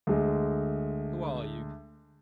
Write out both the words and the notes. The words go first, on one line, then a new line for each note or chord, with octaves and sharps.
"Who are you?"
D2 G#3